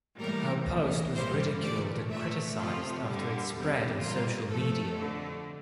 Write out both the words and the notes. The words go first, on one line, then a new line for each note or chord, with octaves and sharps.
Her post was ridiculed and criticized after it spread on social media.
A2 E3 G3 A#3 A#4
A2 E3 A#3
G2 E3 G3 A#3 C5
A#2 A3 D5
A#2 A3 E5
C3 F3 A3 F4
G2 D3 G3
E2 C3 G3
A#2 G3 A#3 F4
G2 F3 A3 A4
F2 D3 A3